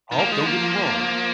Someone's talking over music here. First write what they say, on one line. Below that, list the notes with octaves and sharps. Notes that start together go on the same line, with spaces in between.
Oh, don't get me wrong,
D#3
F3 A#3
G#3
A#3